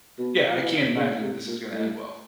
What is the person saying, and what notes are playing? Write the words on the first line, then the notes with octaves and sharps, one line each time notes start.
yeah, I can't imagine this is gonna end well.
B2
F3
E3
C#3
C3
A#2
A2